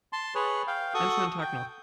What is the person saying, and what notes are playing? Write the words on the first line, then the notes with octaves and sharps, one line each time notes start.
Einen schönen Tag noch!
A5 C6
G#4 B4 C#5
F5 G5
F#4 A4 C#6 D#6
G5